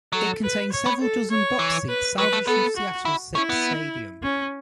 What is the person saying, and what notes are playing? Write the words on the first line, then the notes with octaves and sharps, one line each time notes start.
It contains several dozen box seats salvaged from Seattle's Sick's Stadium.
F#3 A4
B4
C#5
B3
A4
C#5
E3
B4
F#3 B4
A3
B3 A4
F#4
E4
C#4 E4
B3
C#4